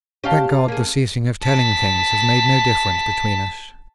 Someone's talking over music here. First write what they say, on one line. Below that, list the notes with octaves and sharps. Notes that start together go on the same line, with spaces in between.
Thank God, the ceasing of telling things has made no difference between us.
C#4 G4 F5 A5
A#3 G#4
A5 B6